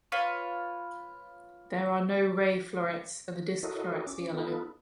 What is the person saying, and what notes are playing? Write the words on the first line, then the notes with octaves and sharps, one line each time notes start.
There are no ray florets and the disc florets are yellow.
F4 B4 C#5
E4 F#4 A4 A#4 C#5 D#5
C#4 D6
B3 D#4 F4 A4 B4